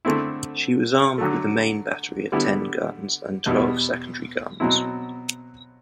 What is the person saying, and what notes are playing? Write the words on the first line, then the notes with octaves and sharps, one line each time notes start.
She was armed with a main battery of ten guns and twelve secondary guns.
D3 A3 C4 E4
D3 F#3 A3
D3 G3 B3 E4
E2 B2 G3 B3 E4
B2 F#3 C4 E4